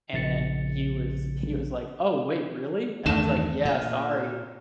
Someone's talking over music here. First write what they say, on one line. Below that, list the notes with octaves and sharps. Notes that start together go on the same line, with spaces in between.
And he was he was like, “Oh, wait really?” And I was like, “Yeah sorry,
A#1 C#3 A6 C#7
E2 G2 D#3 A3 E7
A#2